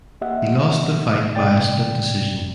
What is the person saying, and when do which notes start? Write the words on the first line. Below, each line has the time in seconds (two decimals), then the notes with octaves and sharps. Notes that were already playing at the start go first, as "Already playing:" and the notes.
He lost the fight via split decision.
0.21 A#3 G4 D#5 E5 F#5
1.35 A2 C3 G#3 D5 G5 A6